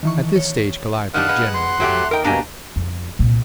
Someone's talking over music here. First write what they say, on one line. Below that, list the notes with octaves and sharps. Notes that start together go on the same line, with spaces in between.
At this stage Calliope generally began to drink.
D#3 E3 C#6
C#5
D#3 G3 D4 F5 F#5 F#6
G#3 B3
C6
F#3 A3 G4
D#4 A#4 G5
B2 A#3 D4 G4 G#5 A#5
F2
C2 A#2